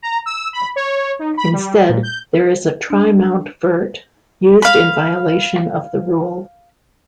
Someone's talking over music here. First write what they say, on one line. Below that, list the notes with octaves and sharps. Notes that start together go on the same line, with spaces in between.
Instead, there is a trimount vert used in violation of the rule.
A#5
E6
B5
C#5
D#4
B5
G3
A#2
G6
D4
F5 B5